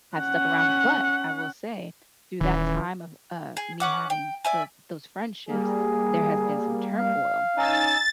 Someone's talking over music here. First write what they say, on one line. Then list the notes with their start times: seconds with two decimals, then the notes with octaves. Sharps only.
have stuck around, but I will say through that time of, uh, me having tho those friendships, there has been some turmoil.
0.16 C#4 F#5
2.41 D#1 D#3 E3 C#4
3.57 G#4
3.80 C#4 F#5 D6
4.10 G5
4.45 D5 E5 G#5
5.49 G3 A#3 G#4
6.98 F5
7.56 C#4 D#4 G#5 E6 A6